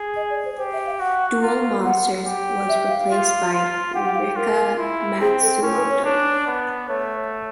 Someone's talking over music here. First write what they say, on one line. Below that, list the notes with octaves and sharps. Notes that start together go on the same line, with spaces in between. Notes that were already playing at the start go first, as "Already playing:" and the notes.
Duel Monsters was replaced by Rika Matsumoto.
Already playing: G#4
D#5
D5
C5
G4 C5
E5
F5
F#4 F#5
F4
F#5
G4
E5
F5
F4
F4
G4 F#5
F#5
F5
F4 A#4
E4
C4 G#4
A4
C#4 A#4
B4
C#5
D4
B3
A3 C#5